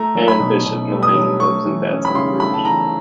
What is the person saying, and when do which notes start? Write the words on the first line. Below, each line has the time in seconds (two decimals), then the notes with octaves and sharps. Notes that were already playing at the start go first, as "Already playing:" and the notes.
Ann Bishop Mullany lives in Baton Rouge.
Already playing: A3 A#5
0.15 F#3
0.28 B5
0.40 B2
0.65 B2
0.90 A3
1.03 D#6
1.15 F#3
1.40 A3 C#6
1.65 E3
1.91 C#4
2.05 B5
2.15 C#3 C6
2.40 A3 B5
2.54 A5
2.65 E3 A#5